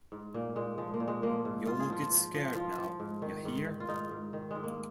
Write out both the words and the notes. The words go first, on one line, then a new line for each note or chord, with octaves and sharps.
Y'All Get Scared Now, Ya Hear!
G#2
A#2 A#3
A#2 G#3
F3 G#3
A#3
A#2
G#3
F3 A#3
G#2
G#2 F4
G#4
F3 F4
F3
F3
F3 F4
F3
G#2
D#3
G#2
D#3
F4
G#2 D#4
G#2
D#3
G#2 G#3
A#3